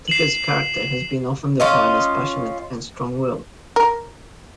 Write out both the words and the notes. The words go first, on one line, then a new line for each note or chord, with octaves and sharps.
Tucker's character has been often defined as passionate and strong willed.
C7 E7 F#7
C#4 F4 D#5
A#4